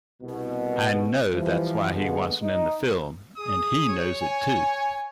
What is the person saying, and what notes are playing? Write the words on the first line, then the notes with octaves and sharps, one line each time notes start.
I know that's why he wasn't in the film, and he knows it too.
C2 B2
E3 F3 G3
B2 D3 G3 G#3 A#3 B3
D#4
G#4 D#6
C#5
G#5